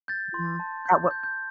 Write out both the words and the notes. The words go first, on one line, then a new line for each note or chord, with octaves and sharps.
Mhm. At what
G6 A6
C6
A5
C6 G6
G6
G6